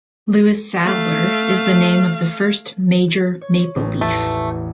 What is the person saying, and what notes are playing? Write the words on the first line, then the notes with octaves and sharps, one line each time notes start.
Louis Sadler is the name of the first Major Mapleleaf.
A3 F5
C#5
A1
E2 A3